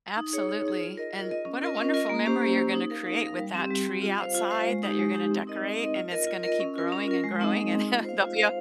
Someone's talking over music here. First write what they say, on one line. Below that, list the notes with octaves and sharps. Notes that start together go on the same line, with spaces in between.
Absolutely, and what a wonderful memory you're gonna create with that tree outside that you're gonna decorate and it's gonna keep growing and growing and h they'll be u
D#4
G#4 C#5
D#4
G#4 C#5
F4
A#4 D#5
F4
A#4 D#5
C#4
F4 A#4 D#5
C#4
F4 A#4 D#5
A#3
C#4 G4 C5
A#3
C#4 G4 C5
D#4
A#4 F5
D#4
A#4 F5
G3
C4 G4
G3
C4 G4
F4
C5 F5
F4
C5 F5
G#3
D#4 G4
G#3
D#4 G4
C4
D#4 A#4 D#5
C4
D#4 A#4 D#5
F4
A#4 D#5
F4
A#4 D#5
C#4
F4 A#4
C#4
F4 A#4
G#3
C4 D#4 G#4 D#5
G#3
C4 D#4 G#4 D#5
F4
C5 F5
F4
C5 F5